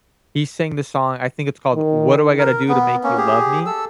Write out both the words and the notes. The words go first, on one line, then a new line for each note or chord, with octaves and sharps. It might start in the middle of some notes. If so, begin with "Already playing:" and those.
he sang the song I think it's called, "What Do I Gotta Do To Make You Love Me?"
D#3
A#4
B3
A#3 C#4
G4 G#4
A4 E6